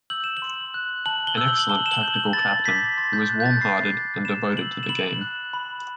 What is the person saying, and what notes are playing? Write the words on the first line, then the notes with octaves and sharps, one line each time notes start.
An excellent tactical captain, he was warmhearted and devoted to the game.
E6 G6 F#7
E7
F#7
C6
F#6
A5 F#7
G7
E6 G6
F#7
F#7
A5 G7
E7
F#7
E6 G6
B5 A6
D6 G6 B6
C6 A6
G6
F#6 A6
G6
A6
B5 C7
D6 F#6
B5 E7
E6 G6 F#7
E7
B5 F#7
F#6
B5